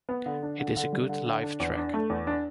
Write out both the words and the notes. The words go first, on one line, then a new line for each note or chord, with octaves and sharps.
It is a good live track.
B3
D3
D4
D3
D3
G3
D3
D3
D4
E2
D4
A3
E2
D4